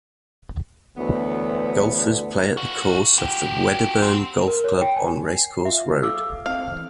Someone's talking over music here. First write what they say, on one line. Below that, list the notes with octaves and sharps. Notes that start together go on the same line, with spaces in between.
Golfers play at the course of the Wedderburn Golf Club on Racecourse Road.
D2 E3 F#3 B3
F4 F#4
F#4 G4
C4
A#4
C#5
G5
G#5
C7
F4 E5
A4 F5 D6 E6
C4 F5
E3